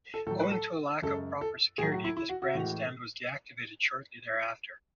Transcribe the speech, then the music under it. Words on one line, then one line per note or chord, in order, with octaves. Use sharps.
Owing to a lack of proper security, this grandstand was deactivated shortly thereafter.
A4
A2 F#3 A4
B4
A4
F#2 C#3 G#3 A4
A4
A2 F#3 G#4
F#4
E4
E4
F#4
F#4
A2 E3 G#3